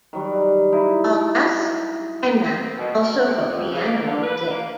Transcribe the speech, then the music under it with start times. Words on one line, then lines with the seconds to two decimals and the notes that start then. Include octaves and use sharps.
August Enna also wrote piano music.
0.13 D#3 F#3 G3
0.72 D#4 E4 F#4
2.44 C4
2.77 B2
3.02 A#4
3.26 C3
3.50 F2
3.71 C#3
3.86 A#3
4.06 D3
4.22 B4
4.50 A#3